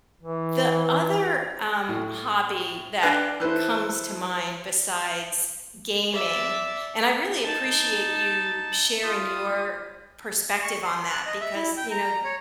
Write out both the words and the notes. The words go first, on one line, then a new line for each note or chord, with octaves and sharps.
The other, um, hobby that comes to mind besides gaming, and I really appreciate you sharing your perspective on that because, you know,
E3
A2
D4 B4 D5 F5 G5 F#6
E3 E4 A4 B4 C5
D5 E5
D#4 A5
F4 D#6
C#6
C6
F#6
D#5
E5
E4
G5
A#5
C#5